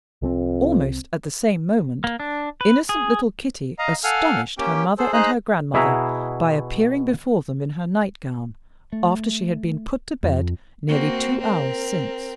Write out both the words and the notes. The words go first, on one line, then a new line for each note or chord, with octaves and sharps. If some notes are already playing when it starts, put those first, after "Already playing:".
Almost at the same moment, innocent little Kitty astonished her mother and her grandmother by appearing before them in her night-gown, after she had been put to bed nearly two hours since.
C2 F2 G#3 C4
A#3
D4
B4
G#4
D#5 F5 A#5
A4 F5 F#5 G#5 F6
A#3 C#4 G4 G5
G#4 A4 C5
D#4 G#4 C5 D#5 A#5 F#6
B2 E4 G#4 E5 F#5 A#5
A3
F2
A#3 C4 F#4
C4 A#4